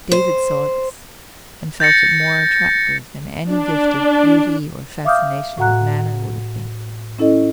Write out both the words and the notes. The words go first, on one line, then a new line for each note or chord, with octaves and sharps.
David saw this, and felt it more attractive than any gift of beauty or fascination of manner would have been.
C5
G6 A6 A#6 C#7
D4
E5 F5 D6 D#6 F6 G6
A2 F#4 F#5 A#5 F#6
C#4 E4 A4 D#5